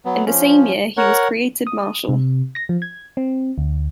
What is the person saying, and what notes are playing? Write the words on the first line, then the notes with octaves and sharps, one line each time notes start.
In the same year he was created marshal.
F#3 B3
F3 C#4
A#4 C#5 F#5
D#6
C3
A#6
F3
G#6
C4
D2